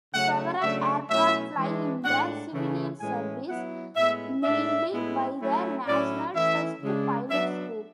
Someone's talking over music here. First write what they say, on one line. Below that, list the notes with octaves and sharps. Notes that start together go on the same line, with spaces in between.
Several aircraft fly in the civilian service, mainly by the National Test Pilot School.
C#3 F#3 A3 C#4 F#5
C#3 F#3 A3 D4 E5
B2 F#3 A3 C#4 E4 E5
E3 G#3 D4
A2 G#3 D4 F#5
C#3 E3 A3
A2 E3 G#3 C#4 G#5
F#3 B3 E4 F#5
A2 G#3 B3 E4 E5
A2 G#3 D4 E5
A2 G#3 B3 E4
F#3 A3 C#4 E4
A2 F#3 C#4 E4 D5
E3 A3 C#4 E4 E5
C#3 G#3 D4
F#3 B3 D4 E5